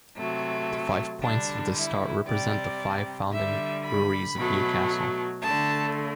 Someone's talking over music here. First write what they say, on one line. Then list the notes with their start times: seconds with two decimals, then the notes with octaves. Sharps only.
The five points of the star represent the five founding breweries of Newcastle.
0.17 C3 F#3 A3
1.22 D3 G3 D4
1.75 E4
2.27 C3 G3 D5
3.32 D3 G3 E5
3.84 B5
4.36 B2 F#3 A3
5.41 D3 A3 A5